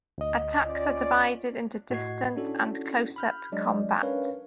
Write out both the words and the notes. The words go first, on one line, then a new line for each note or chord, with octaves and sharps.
Attacks are divided into distant and close-up combat.
D2 D#5
C#4 F4 D5
A2 F#4 D#5 F#5 G#6 C7
C#4 D4 E4 F#4 A4
B5 F6 G6
F#3 G#3 D4 D5 D#5
C#4 D4 A#4 B4 C#5 F5